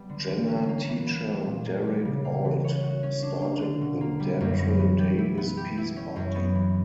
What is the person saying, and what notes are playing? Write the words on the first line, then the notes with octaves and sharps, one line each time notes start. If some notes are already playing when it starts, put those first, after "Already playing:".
Jenner teacher Derek Ault started the Dantrell Davis Peace Party.
Already playing: G3 B3
D3
E3
C#4
A#3
E3
B3
G3
A#2
A#3
G3
C#3
A#3
E3
C#5
F#4
C#4
D4
A#3
D3
B2
A#3
G3
F#2
B3
E3
G4
E4
B3
G4
E4
C#4
F#2
B3
E3